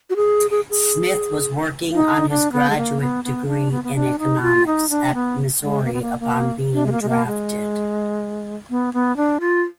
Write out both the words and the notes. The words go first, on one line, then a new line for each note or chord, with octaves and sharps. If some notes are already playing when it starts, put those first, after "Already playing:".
Smith was working on his graduate degree in Economics at Missouri upon being drafted.
F#4
G#4
G#4
G#4
D#4
D4
B3
G#3
A#3
B3
B3
D4
B3
B3
D4
D#4
F4
D#4
D4
B3
G#3
A#3
B3
A#3
A#3
D4
G#3
A#3
G#3
A#3
G#3
B3
B3
D4
F4